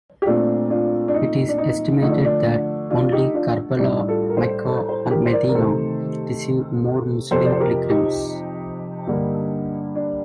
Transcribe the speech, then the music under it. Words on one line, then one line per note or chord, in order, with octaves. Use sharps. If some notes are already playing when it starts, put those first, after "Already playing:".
It is estimated that only Karbala, Mecca and Medina receive more Muslim pilgrims.
G4
A#2 A3 C4 D4 F4
D4 F4
D4
D#4
D4
D#4
D3 F3 A3 D#4
D4
D4
D4
D4 F4
D#4 G4
D4 F4
A2 G3 D4 D#4 G4
F4 A4
A#4
A4 C5
A4 C5
A4 C5
G4 A#4
C5
A#4 D5
A#4
C3 D#3 A3 A4 C5
F2 C3 F3 A4 C5
D5
C5
G4 A#4
D#4 G4
G2 D3 G3 A#3
D4